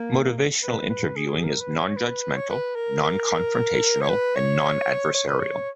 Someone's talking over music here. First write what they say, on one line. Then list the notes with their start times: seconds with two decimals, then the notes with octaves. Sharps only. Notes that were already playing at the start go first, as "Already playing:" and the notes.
Motivational interviewing is non-judgmental, non-confrontational and non-adversarial.
Already playing: A#3
0.63 B4
0.90 B4
1.17 G#4
1.44 A#4
1.61 B4
1.78 C#5
1.96 B4
2.36 C#5
2.50 B4
2.76 A#4
3.03 A#4
4.01 C#5
4.09 B4
4.36 C#5
5.14 C#5
5.28 B4
5.40 C#5